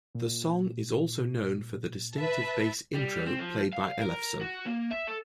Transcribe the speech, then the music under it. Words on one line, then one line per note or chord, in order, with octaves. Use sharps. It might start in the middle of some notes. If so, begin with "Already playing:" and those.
The song is also known for the distinctive bass intro played by Ellefson.
A#2
B4 E5 A5
G3
C4
F3
F5
A#4
F#4
A#3
E5
A4